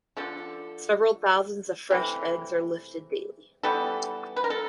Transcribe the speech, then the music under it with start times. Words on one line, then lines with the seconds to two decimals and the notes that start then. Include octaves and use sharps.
Several thousands of fresh eggs are lifted daily.
0.17 D3 F3 A3 A4
1.90 C3 E3 A3
3.63 E3 G3 B3 A4
4.36 B4
4.44 A#4
4.50 A4